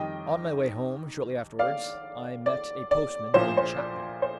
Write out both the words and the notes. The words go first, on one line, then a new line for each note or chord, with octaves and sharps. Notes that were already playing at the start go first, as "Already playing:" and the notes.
On my way home shortly afterwards I met a postman named Chapman.
Already playing: F2 D#3 G3 D#5 G5
D5 F5
D5
D5
A#1 A#2 F3 C5
C5
D5
C5